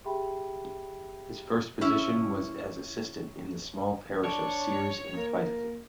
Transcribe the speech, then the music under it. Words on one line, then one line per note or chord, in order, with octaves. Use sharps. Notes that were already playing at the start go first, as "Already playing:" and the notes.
His first position was as assistant in the small parish of Ceres in Fife.
G4 G#4 E5 G5 B5
C#4 E4
D4 C#5
A#3